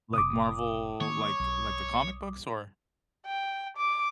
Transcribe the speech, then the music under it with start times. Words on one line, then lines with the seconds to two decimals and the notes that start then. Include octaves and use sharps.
like, Marvel, like like the comic books or?
0.14 F#1 C3 D6 D#6
1.01 D#3 A#3 C#5
1.40 B1
3.26 G5
3.77 D6